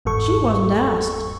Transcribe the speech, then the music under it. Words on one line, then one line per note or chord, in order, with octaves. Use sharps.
She wasn't asked.
G1 E2 G#2 A4 C#6